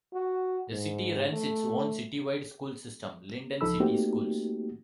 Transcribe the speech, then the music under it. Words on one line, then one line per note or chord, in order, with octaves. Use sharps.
The city runs its own citywide school system, Linden City Schools.
F#4
G#2
A3
C#2 F3 D#4 A4 B5 E6
A3 A#3 C4 D#4 F#4 G4